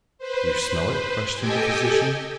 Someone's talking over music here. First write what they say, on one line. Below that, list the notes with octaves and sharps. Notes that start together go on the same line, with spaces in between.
"Do you smell it?" questioned the physician.
B4 C5
G4 A4 D#5 G5 G#5